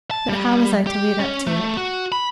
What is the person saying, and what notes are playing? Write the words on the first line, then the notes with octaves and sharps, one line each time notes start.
But how was I to lead up to it?
A5
G3
G4
C#4
A3
F#4
B5